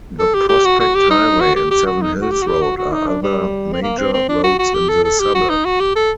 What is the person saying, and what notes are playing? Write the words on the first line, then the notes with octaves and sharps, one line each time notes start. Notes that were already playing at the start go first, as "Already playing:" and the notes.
The Prospect Highway and Seven Hills Road are other major roads in the suburb.
A4
G4
G4
F#4
F#4
G4
D#4
F#4
G4
G4
F#4
D#4
F#4
G4
F#4
G4
F#4
F#4
D#4
D4
G3
C4
A#3
C4
C4
D4
F#4
F#4
G4
A4
A4
G4
F#4
D#4
F#4
G4
A4